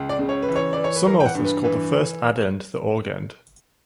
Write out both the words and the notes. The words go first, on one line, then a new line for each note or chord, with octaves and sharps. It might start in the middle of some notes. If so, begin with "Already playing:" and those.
Some authors call the first addend the "augend".
Already playing: C#2
D5
C#3
C#5
B4
E3
C#5
E3 D5
C#5
B4
E3 A#4
G5
F#5
G2
B4
E3 B4